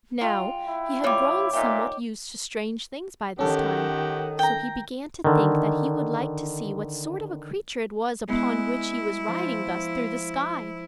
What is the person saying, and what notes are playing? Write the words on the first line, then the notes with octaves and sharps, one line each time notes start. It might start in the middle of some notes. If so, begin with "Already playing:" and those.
Now, he had grown somewhat used to strange things by this time, so he began to think that he would like to see what sort of a creature it was upon which he was riding thus through the sky.
G#3 F4 G5
E4
C#3 G3 F4 C#5 D6
A#2 D#4 G4 E5
D#3 C#4 G4 A4 F#5
G5 A#5
D3 D#3
G#3 B3 E4
F3